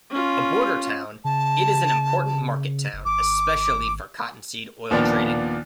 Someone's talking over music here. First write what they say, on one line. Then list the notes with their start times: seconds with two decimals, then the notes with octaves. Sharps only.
A border town, it is an important market town, especially for cottonseed oil trading.
0.10 C#4 F4
1.24 C#3 A5
2.93 F#1
3.05 G#1 D6
4.90 D#2 A#2 F3 A#3 B3 D4